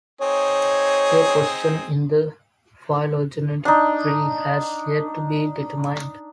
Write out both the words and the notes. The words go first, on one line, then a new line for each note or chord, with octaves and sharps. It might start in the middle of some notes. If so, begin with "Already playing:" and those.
Their position in the phylogenetic tree has yet to be determined.
C4 D#4 G#4 C#5
D4 D#4